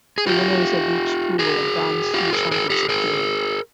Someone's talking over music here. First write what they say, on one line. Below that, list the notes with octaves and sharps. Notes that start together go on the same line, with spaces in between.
The winners of each pool advanced to the championship game.
G#4
F4 G4
F#4 G#4
F4 G4
G#4 A#4
G#4 A#4
G4 A4
G#4 A#4